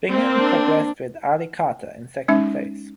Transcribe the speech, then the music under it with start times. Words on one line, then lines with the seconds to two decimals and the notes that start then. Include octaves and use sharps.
Bingham progressed with Ali Carter in second place.
0.10 A#3 C4
0.38 D4
2.28 G#3 C#4 D#4 E5